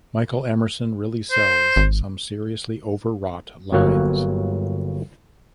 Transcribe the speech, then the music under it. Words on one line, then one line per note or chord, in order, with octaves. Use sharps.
Michael Emerson really sells some seriously overwrought lines.
C5
G#1
G1 F#3 A#3 C#5 F#5